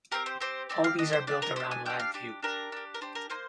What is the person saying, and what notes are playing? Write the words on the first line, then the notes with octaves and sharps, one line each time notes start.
All these are built around Labview.
C4 G4 A#4
C5
C4 G4 C5
C4 G4 D5
F5
D4 G4 D#5
C5
D4 G4 D5
A#4
D4 G4 C5
G#5
D4 G4 G5
F5
D4 G4
D4 G4 A#4
D4 G4
A#4
D4 G4 C5
A#4
A#3 D#4 C5